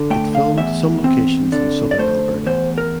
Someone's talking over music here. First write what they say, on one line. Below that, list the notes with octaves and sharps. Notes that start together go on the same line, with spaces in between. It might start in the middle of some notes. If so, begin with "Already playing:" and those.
It filmed some locations in southern Alberta.
Already playing: D3
A3 G5
F5
E2 E5
C4
D3 D5
D5
A3 C5
E2 C5
A#4